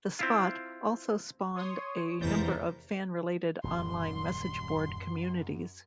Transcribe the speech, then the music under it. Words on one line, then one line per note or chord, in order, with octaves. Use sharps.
The Spot also spawned a number of fan-related online message board communities.
C4 E4 F4
C#5 C6 D#6
F1 E2 E3 A#4 G6 A6 A#6
D#1 F#2 C6